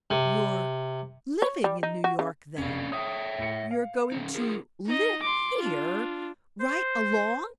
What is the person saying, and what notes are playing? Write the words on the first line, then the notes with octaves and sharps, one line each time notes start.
"You're LIVING in New York, then--you're going to live here right along?"
C3
C#5
G3
D#4
F#4
C#3
F1 C#4 D4 F5
C#5 E5 G5 D#6
A2 C#7
F5
D#3 C#4 D#4
F4 G#4 A#4
D#4 D#5
C6 D6
D4 F4
C5